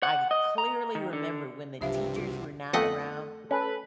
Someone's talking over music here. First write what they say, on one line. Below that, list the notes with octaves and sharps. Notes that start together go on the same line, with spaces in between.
I g clearly remember when the teachers were not around
F#5
D#5
A#5
D#3
D3
C2 G2 C3 F3 F#3 G4 E5 F5
F4 F#4
F2 A3 B3 D#5 F#5
C#4 A4 B4